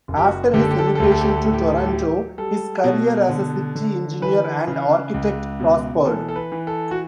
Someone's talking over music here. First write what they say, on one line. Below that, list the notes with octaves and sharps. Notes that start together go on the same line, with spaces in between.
After his emigration to Toronto, his career as a city engineer and architect prospered.
F#1
G4
F#4
D3 G4
A4
G4
A4
G4
A4
D2 G4
A4
G4
A4
G4
A2 A4
G4
A4
G4
A4
G4
F#3
G3 A4
B2
D3
D3
E3 B4
C#3
C#2
B2
E3 A4
A4
B4
E3
A4
F#4